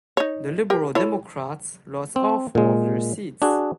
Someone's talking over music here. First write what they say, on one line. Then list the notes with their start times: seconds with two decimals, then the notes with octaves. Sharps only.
The Liberal Democrats lost all four of their seats.
0.17 D#4 C#5
0.70 G4 A#4 G5
0.95 E4 A4 C#5
2.16 C4
2.55 A#2 G#3
3.42 D4 F#4 G#4